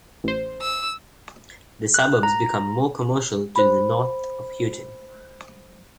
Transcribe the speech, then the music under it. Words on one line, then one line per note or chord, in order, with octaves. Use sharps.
The suburbs become more commercial to the north of Houghton.
A1 C5
E6
F#6
A#5
C5 B5